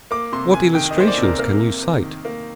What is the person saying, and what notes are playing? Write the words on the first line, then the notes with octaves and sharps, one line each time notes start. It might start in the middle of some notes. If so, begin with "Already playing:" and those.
What illustrations can you cite?
A#3 D6
C3 C6
C3 G#5
D#3 G5
D#5
A#3 C5
D5
C3
A#4
A#3 A#4
C3
C3
D#3
A#3